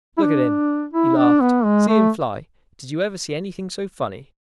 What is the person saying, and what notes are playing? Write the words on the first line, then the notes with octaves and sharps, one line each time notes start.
'Look at him,' he laughed; 'see him fly! did you ever see anything so funny?'
E4
D4
E4
D4
B3
G#3
A3